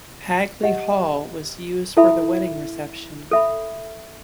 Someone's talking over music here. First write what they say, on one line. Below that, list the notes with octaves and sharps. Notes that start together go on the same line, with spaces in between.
Hagley Hall was used for the wedding reception.
G4 D#5 F#5
E4 A4 E5 B5
A4 E5 B5